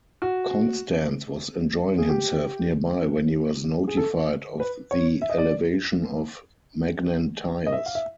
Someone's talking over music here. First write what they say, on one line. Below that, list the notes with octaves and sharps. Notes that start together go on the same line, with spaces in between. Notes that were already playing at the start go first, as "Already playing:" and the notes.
Constans was enjoying himself nearby when he was notified of the elevation of Magnentius.
F#4
G#4
G4
G#4
A4
B4
C#5
E5
D#5
D5
D#5
E5
F5
E5